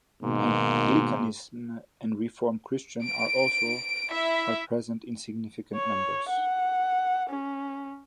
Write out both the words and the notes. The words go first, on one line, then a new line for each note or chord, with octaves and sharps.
Anglicanism and Reformed Christian are also are present in significant numbers.
G#2 B2 D#3 A#3
D7
E4 E5
C#5
F#5
C#4